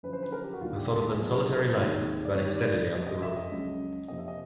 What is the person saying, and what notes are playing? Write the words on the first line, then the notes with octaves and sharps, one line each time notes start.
I thought of that solitary light burning steadily under the roof.
F#2 D3 F3 B4
C5
B4
A#4
G4
F#4
D#2 D3 G3 F4
G4
A4
G#4
A2 F#3 B3 D4
A#4
A4
A#4
C5
D#2 D#3 G#3 C4 C#5
D5
D2 C3 D#3 G3 C#5
D5
F2 C3 F3 D#5
D#5
E5
D#5
C#2 C#3 F#3
F2 C3 F3 A#3 D#5
E5
D#5